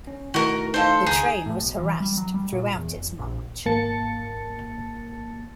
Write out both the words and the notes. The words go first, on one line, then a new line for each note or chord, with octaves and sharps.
The train was harassed throughout its march.
C#4
B2 D#3 A3 E4 F#4 A#4 D#5
D#4 A4 C5 D#5 F5
C#2 G#4 A#5 G6
A2
B1
E3
G3
F#3
G3
A#2
E2
F1
A#1
G#1 A#3 A5 A6 C#7